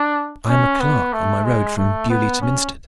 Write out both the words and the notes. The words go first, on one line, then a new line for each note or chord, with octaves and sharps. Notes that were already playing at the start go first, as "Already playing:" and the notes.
"I am a clerk on my road from Beaulieu to Minstead."
Already playing: D4
C#4
B3
A3
G#3
A3
B3
C#4